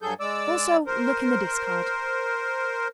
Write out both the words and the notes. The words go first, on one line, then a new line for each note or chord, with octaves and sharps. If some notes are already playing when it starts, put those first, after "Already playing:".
Also look in the discard.
G2 F#3 G#4 A4 G6
G#3 D5 D6 E6
A#4 C5